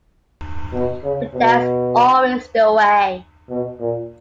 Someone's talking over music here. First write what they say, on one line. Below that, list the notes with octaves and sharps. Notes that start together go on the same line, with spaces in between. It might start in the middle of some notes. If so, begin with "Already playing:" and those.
But that’s always the way.
B2
C#3
B2
B2
A#2